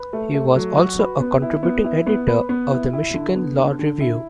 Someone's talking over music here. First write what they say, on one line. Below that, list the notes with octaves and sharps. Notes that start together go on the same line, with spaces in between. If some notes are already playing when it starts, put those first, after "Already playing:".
He was also a contributing editor of the "Michigan Law Review".
Already playing: B4
A3
A3
F#3
F#4
B4
B3
E4
B3
E4
B3
B4
B3
E4
E4
D3
B3
D3
D3
E4